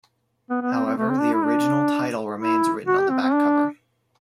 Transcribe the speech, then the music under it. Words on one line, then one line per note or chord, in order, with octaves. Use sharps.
However, the original title remains written on the back cover.
B3
B3
C4
C4
A3
C4
D4
E4
D4
E4
F#4
G4
C4
C4
D4